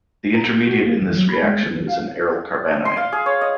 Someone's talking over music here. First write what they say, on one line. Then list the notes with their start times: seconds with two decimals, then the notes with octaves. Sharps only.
The intermediate in this reaction is an aryl carbanion.
0.34 A#5
0.46 G6
0.66 F#4
0.86 A#3
1.02 E3
1.15 F#3
1.29 B5
1.42 G#3
1.66 E3
1.87 F5
2.85 C6
2.97 F5
3.12 G#4
3.26 C#5
3.41 D#5